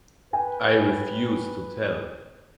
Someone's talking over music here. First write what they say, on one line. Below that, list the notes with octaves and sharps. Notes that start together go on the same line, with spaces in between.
I refused to tell.
B4 G5 G#5